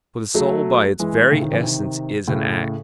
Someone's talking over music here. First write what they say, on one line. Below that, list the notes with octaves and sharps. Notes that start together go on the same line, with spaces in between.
For the soul by its very essence is an act.
F#3 A3
E3 G#3
A2 C#3
C3 D#3
C#3 E3
C3 D#3
A2 C#3